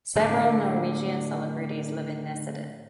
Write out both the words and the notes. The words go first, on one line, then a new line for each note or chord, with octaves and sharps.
Several Norwegian celebrities live in Nesodden.
A2 D3